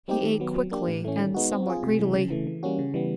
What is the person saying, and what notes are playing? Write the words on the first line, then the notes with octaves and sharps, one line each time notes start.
He ate quickly and somewhat greedily.
G3 C4 D#4 G4
D#3
F#3 B3
F#3
A#3 D4 G4
A2
E3 A3 C#4
D#3
G#3 B3 D#4 F#4
C4
F4 G#4
C3
E3 G#3
C#3
E3 A3
E3
G3 A#3 C#4 F#4
C#3
E3 G3 B3